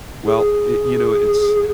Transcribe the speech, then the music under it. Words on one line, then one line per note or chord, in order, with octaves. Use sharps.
well, it you know, it's
G#4